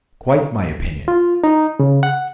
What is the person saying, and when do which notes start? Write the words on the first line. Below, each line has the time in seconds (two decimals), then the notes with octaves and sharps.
"Quite my opinion."
1.08 F4
1.44 D#4
1.79 C#3
2.03 F#5